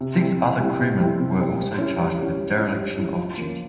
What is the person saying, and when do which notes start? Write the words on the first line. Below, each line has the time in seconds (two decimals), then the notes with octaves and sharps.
Six other crewmen were also charged with dereliction of duty.
0.01 C3
0.20 G3 C4 E4
0.40 C3
0.60 G3 C4 E4
0.80 C3
1.00 G3 C4 E4
1.19 C3
1.40 G3 C4 E4
1.59 G3
1.78 C#4 E4 G4
1.99 G3
2.19 C#4 E4 G4
2.38 G3
2.58 C#4 E4 G4
2.78 G3
2.98 C#4 E4 G4
3.17 F3
3.38 A#3 C#4